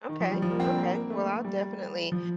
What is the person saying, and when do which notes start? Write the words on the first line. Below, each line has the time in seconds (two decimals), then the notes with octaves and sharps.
Okay, okay, well, I'll definitely
0.09 D#3
0.20 F3
0.31 G3
0.42 F3
0.51 A#3
0.60 C4
0.68 D4
0.77 A#3
1.10 A3
1.45 G3
2.12 F3